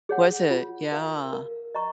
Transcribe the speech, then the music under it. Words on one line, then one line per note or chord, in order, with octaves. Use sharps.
Was it, yeah,
G#4 C#5 F#5
F4
A#4 F5
A#4
D#5 A#5 C#6